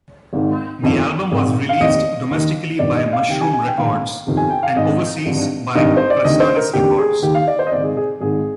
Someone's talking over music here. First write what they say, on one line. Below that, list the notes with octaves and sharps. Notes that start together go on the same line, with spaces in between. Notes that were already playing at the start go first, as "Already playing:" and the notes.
The album was released domestically by Mushroom Records, and overseas by Chrysalis Records.
G#1 G#2 D#3
G1 F2 D#3
G#1 G#2 D#3
F5
F1 D#2 D#3 D#5
D#2 D#3
G1 G2 D#3 D5
D#5
F5
C2 C3 D#3 G5
G#5
G#5
G5
A#1 G#2 D#3 F5
G1 F2 C3 D#3
G#5
G5
F5
G#1 G#2 D#3 D#5
G#1 G2 D3
G#1 G2 D#3 D#5
C5
D5
D2 C3 D#3 D#5
C5
A#4
F1 D#2 D3 G4
G#4
D#2 D#3 G4
F5
D5
C5
D#5
G#1 G#2 D#3 D5
G#4
G#4
G#1 G#2 D#3 G#4